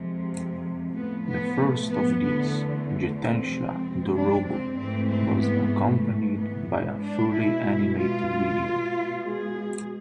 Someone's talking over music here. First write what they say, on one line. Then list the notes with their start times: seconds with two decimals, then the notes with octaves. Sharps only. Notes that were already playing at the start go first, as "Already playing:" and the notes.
The first of these, "Jitensha Dorobou", was accompanied by a fully animated video.
Already playing: F2 C3 G#3
0.94 A2 F3 A3 B3
1.27 B3
1.58 A3
1.90 B3
2.22 E2 D3 A3 B3
3.17 C4
3.50 F2 C3 G#3
4.14 D4
4.45 C4
4.77 G#2 E3 A3 C4
5.09 C4
5.41 B3
5.73 A3
6.05 G#2 E3 G#3
6.37 B3
7.01 D4
7.32 B2 G#3 E4
7.97 F4
8.60 B2 G#3
9.24 G#4